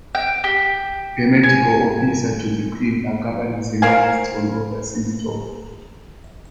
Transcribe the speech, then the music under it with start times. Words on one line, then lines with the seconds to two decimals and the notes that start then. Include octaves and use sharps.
A Medical Officer to the Queen accompanies Her Majesty on overseas tour.
0.15 G5
0.44 G4
1.43 G#5
3.82 A#4 C5 F5 G#5